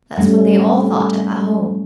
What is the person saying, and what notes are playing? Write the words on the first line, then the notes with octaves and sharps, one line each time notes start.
That's what they all thought at the Home.
G3 A3 C#4